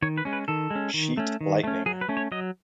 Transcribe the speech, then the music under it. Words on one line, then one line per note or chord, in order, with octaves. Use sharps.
Sheet lightning.
D#3 C#5
B4
G#3 C#4
B4
D#3 A4
G#3 C#4
D#3
A3 C#4
D#3
A3 C#4
F#3 G#4
B4
A3 C#4
C#5
F#3 D#5